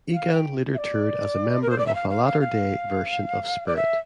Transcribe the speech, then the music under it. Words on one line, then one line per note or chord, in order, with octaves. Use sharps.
Egan later toured as a member of a latter-day version of Spirit.
F5
G5
E5
D5
A#4
C5
D5
E5
F5
F5
F5
F5
D5
E5